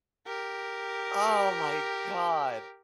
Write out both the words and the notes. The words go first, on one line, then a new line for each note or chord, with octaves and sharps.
Oh, my god,
G4 A#4